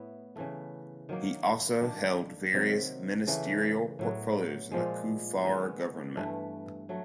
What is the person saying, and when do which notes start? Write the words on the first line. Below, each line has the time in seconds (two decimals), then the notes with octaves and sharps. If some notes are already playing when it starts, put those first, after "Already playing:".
He also held various ministerial portfolios in the Kufuor government.
Already playing: A2 B3 E4
0.36 C#3 E3 A3
1.09 D#3 F#3 A#3
1.81 D#3 G3 A#3 D4
2.53 C3 D#3 F#3
3.27 C#3 E3 A3
3.99 A2 F#3 B3
4.71 A#2 F3 G#3
5.44 D#3 G#3 B3
6.17 G2 E3 A3
6.89 F#3 A3